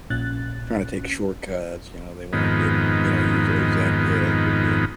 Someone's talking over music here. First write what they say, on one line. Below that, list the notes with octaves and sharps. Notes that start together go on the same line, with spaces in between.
tryna take shortcuts, you know, they wanna get you know, use Ozempic or get,
A#1 A#2 C#4 F#6 A6
F2 G#2 D#3 B3